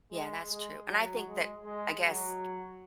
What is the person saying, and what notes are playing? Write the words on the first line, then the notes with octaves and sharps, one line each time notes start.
Yeah, that's true. And I think that, I guess,
G#3
G#3
F#3
G#3
G#3
F#3